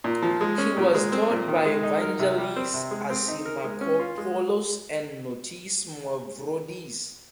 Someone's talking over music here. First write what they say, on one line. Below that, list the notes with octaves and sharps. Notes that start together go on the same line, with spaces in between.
He was taught by Vangelis Assimakopoulos and Notis Mavroudis.
A#2
F3
G#3
C#4
A#2
G#3
C4
A#2
D#3
G#3
D#4
A#4
C3
G3
C4
C3
G#3
C4
D#4
A#4
G#3
C#4
F4
G#3